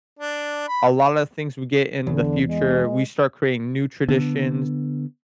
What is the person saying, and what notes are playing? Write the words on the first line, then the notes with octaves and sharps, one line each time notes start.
a lot of things we get in the future, we start creating new traditions,
D4
B5
E2 D3
G#3
D3 B3